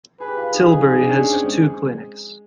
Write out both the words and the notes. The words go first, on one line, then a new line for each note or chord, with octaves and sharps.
Tilbury has two clinics.
G#4 B4
G4
F4
D#4 G#4
D#4
D4
C#4
D4
C4
G#3